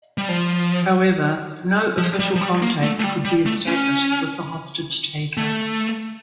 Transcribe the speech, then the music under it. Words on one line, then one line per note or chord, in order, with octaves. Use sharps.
However, no official contact could be established with the hostage taker.
G3
F3
F3
G3
F3
G3
A#3
A3
A3
G3
G3
A3
C#4
A3